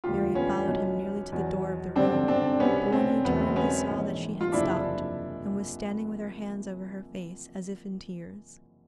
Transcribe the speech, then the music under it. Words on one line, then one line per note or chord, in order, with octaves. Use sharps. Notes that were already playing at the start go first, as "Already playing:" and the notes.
Mary followed him nearly to the door of the room, but when he turned he saw that she had stopped, and was standing with her hands over her face, as if in tears.
E1 D2 D3 G3 F4 G4
B3 C#4
B1 B2 F#3
E2 B2 F#3
G#1 G2 D3 G3 C4 D4
C4 D4
C2 B2 G3 B3 C#4
C4
E1 E2 B2 F#3 B3
C4
B3 C#4
A#1 G#2 E3
F4
F#1 E2 C3 F3 D4 E4
D4 E4